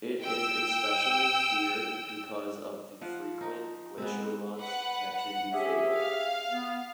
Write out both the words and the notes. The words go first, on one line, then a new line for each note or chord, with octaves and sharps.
It is especially feared because of the frequent glacier runs that can be fatal.
G5 E6
F3 F4 F#5
F3 D#4
G#3 B3 C4
B4 F#5
F#5
C#4 G4 G#4 E5
F5
B3